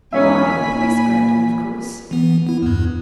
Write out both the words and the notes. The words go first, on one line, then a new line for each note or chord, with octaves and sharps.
'Why, the p'leece grabbed him, of course.
E1 C#4 C#5 E5 G#5 B5 B6
A#2
E3 B3
B3 E4
E2 G2